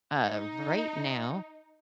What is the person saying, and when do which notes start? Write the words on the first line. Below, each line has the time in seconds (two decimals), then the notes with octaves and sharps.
Uh, right now
0.20 D#4